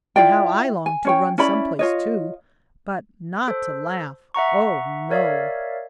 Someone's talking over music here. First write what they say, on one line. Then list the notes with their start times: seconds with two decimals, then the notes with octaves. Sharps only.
And how I longed to run some place, too--but not to laugh, oh, no!
0.16 E4 F4 D5 G5
0.86 G#5
1.05 C#4 C#5 G5
1.38 C#4 E4 D5 B5
1.79 F4 C#5 D#5
3.48 A4 C5
4.34 E5 F#5 A#5 C#6
5.11 A#4 C#5 D5 E5 F5